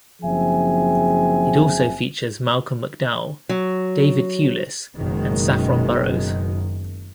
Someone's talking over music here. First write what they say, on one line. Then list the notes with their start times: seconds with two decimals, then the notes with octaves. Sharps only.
It also features Malcolm McDowell, David Thewlis and Saffron Burrows.
0.22 F#1 F3 C4 G#4 E5 G#5
3.49 F#3
4.96 F#1 F#2 B2 D#3 G#3